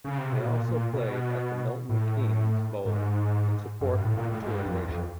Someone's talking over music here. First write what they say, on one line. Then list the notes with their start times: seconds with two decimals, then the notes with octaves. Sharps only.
They also played at the Milton Keynes Bowl in support to Erasure.
0.04 C#3
0.18 C3
0.32 B2
0.45 A#2
0.69 A#2
0.93 B2
1.89 A2
2.85 G#2
3.81 F#2
3.93 G2
4.05 A2
4.17 A#2
4.29 A2
4.42 G#2
4.53 G2
4.66 F2
4.77 E2
4.89 F2